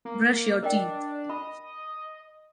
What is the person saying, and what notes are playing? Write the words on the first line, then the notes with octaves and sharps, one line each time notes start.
Brush your teeth.
A#3
D4 A#4 D#5 G5
D#5 B5